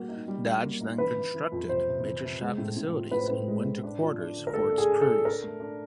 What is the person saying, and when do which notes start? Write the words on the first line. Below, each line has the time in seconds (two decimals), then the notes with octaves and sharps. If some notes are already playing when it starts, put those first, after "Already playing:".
Dodge then constructed major shop facilities and winter quarters for its crews.
Already playing: G3 A#3 F#4
0.09 D#4
0.28 G3
0.46 G3
0.62 A#3
0.81 D#4
0.98 E3 B4
1.17 E3
1.34 E3
1.52 F2
1.69 C3 C5
1.88 C3
2.05 E3
2.23 C3
2.40 G#3
2.58 A2
2.77 A2
2.94 F3
3.11 A2 B4
3.20 C5
3.28 A2 B4
3.48 G#3
3.65 A2
3.83 D4
4.00 F3
4.19 D4
4.36 D3
4.47 A#4
4.54 A3 A4
4.72 D4
4.78 G#4
4.90 D4
5.01 A4
5.07 D4
5.25 D4 A#4
5.42 A3
5.60 D4